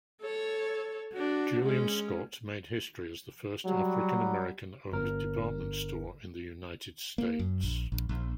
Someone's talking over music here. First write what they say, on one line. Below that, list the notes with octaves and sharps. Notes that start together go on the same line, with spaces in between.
Julian Scott made history as the first African-American-owned department store in the United States.
A4 C#5
D4 F#4
G#3 C#4
F#3 G3
G1 A#4
A#3
F#2
A#1
A#1
A#1